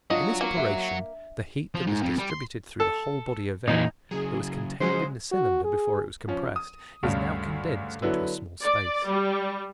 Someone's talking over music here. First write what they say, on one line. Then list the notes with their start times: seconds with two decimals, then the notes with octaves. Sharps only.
In this operation the heat that was distributed through the whole body of air, that was contained in the cylinder before it was compressed, is now condensed into a small space.
0.10 F#3 D4 F4 F#4 D#5
0.41 A#3
0.57 E5
1.75 F3
1.87 G#2
2.03 F2
2.18 G3
2.30 C6
2.80 A4
3.68 A#2 D#3 E3 D#4
4.11 C#3 F#3 G#4
4.80 C#3 F#3 G#3 C#4 C5
5.31 F#4
5.64 G#4
6.28 F3 C#4
6.56 D#6
7.03 D2 G2 C#3
8.02 D3 F#3 B3 E4
8.63 D5
9.06 G3